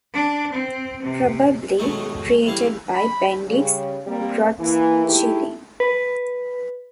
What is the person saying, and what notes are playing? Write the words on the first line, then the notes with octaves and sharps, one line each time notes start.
Probably created by Bendix Grodtschilling.
D4
C4
C3
B2 D#3 F#3 G#3 A3 D#4
A1 G3 E4 F5
B5
C#3 G3
G3 A#3 C4
E3 A#3
G#3 A3 D#4 E4 G4 G#4
B4